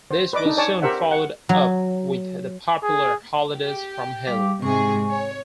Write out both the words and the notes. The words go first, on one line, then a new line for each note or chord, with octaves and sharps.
This was soon followed up with the popular "Holidays from Hell".
C5
B4 D5 D#5 D6
D4 D#4
C#5 D5 G#5 A5
G4 A#4 C5 E5 F#5
F#5
F#3
G#4
G4
G3 F5 D6
G#2 C3 G#4 G#5 C#6
C#5